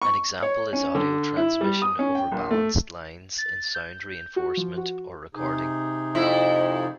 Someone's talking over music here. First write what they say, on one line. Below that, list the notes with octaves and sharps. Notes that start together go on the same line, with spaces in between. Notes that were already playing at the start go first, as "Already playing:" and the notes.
An example is audio transmission over balanced lines in sound reinforcement or recording.
C#6
C#5
C#4
D3
E4
G3
D#6
C#4
G5
A#1
A3
A6
G6
F#4
F3
F#4
C3 D#4 G#4
F2 E4